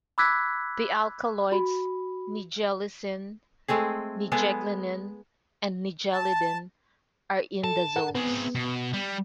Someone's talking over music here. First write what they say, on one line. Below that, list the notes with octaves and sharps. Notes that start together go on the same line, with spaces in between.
The alkaloids nigellicine, nigeglanine, and nigellidine are indazoles.
B5 D6 E6 F#6 G#6 B6
F#4 B5
G#3 A3 C4 G#4
G#3 B3 G#4 A4
A5
A4 A5
A4 A#4 F#5
B3 C4 G#4
B2
G3